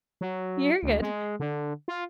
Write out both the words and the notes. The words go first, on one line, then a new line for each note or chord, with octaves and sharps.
You're good.
F#3
D2
G#3
D3
F4